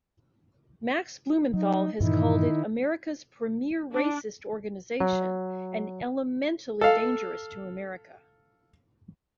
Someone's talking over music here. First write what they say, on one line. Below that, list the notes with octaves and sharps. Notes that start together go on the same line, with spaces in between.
Max Blumenthal has called it America's premier racist organization and elementally dangerous to America.
F#3 D#4
G2 A#2 D#3 E3 D#4 E4
D4
F#3
A4 F5